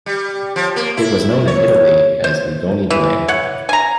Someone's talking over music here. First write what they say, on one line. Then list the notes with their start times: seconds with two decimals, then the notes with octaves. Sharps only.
It was known in Italy as Ugone Blair.
0.06 G3
0.56 F3
0.76 A#3
0.97 E4
1.48 C#5
2.24 C5
2.90 E3
3.28 C#5 F#5
3.69 G#5 A#5